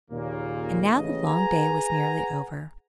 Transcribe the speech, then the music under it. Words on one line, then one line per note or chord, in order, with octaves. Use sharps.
And now the long day was nearly over.
D#2 A#2 C#3 A#3
A1 C#3 D#5
G#4 B4 F#5 G#5 A#5